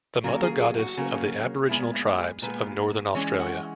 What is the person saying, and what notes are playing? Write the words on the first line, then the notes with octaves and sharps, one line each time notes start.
The mother goddess of the aboriginal tribes of northern Australia.
C#3 F#3 A#3 F#4
G#4
G#4
F#4
C#3 F#3 A#3
A#2 G#3 B3 E4
E4
G#4
A#2 G#3 B3 B4
E3 G#3 C#4 C#5
F#5